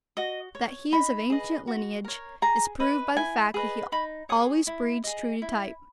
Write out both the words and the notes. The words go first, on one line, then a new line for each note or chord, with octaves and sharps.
That he is of ancient lineage is proved by the fact that he always breeds true to type.
F#4 D#5
C#5
D#4 B5
G#4 B4 D#5
F#4
A#4 C#5
G#4 A#5
B4 D#5
E4 G#5
G#4 B4 D#5
D#4 B5
G#4 C#5 D#6
E4
G#4 D#5
E4